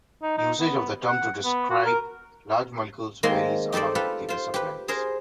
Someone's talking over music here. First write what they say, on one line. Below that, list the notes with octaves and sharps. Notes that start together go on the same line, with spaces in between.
Usage of the term to describe large molecules varies among the disciplines.
D#4
D#4
B3
F#5
B3
F#4
A#4
D#3 G#3 A#3 C4 F#4 C6
D#4 G4 A4 C5 D5
F4 G4 A4 B4
F4 C5
G4 B4
G#4 A#4 C5